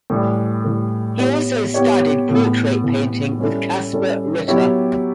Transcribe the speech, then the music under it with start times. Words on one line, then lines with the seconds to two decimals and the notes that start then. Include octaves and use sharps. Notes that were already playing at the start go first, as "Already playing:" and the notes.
He also studied portrait painting with Caspar Ritter.
0.10 A2 E3 G3
0.64 A2 E3 G3
1.19 B3 E4 G4 C#5
1.74 B3 E4 G4 C#5
2.29 A2 E3 B3
2.84 A2 E3 B3
3.38 G3 C#4 E4 A4
3.93 G3 C#4 E4 A4
4.48 F#3 B3 E4 G4 C#5